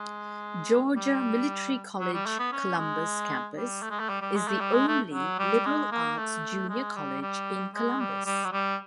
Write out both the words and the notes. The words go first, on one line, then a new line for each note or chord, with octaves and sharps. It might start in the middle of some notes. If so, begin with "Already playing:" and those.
Georgia Military College Columbus Campus is the only liberal arts junior college in Columbus.
Already playing: G#3
G3
F#3
G3
A3
B3
C#4
G#3
G3
A3
G#3
A3
G3
G3
G#3
A3
G3
G#3
A3
F#3
G3
G#3
A#3
A3
G#3
G3
G3
G#3
G3
G3
F#3
G3